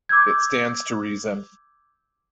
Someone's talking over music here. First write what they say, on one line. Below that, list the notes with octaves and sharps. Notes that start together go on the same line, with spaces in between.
It stands to reason.
D6 E6 G6 G#6